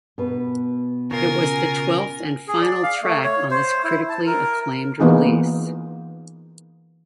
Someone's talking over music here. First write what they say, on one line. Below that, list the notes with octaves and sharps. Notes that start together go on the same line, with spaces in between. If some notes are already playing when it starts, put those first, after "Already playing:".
It was the twelfth and final track on this critically acclaimed release.
B2 B4
C#3 F4 A#4 G#5
G#4
D5
F5
A3
C#5
C5
E4
A5
A#4
E3 A#3 B3 D#4 F4 G#4